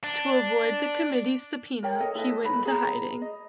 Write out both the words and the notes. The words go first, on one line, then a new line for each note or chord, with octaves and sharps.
To avoid the committee's subpoena, he went into hiding.
D4
A#4 C#5 G5
A4 C#5 D#5
E4 A4 B4 D#5
B4 C#5 B5
G#4 A#5
D#5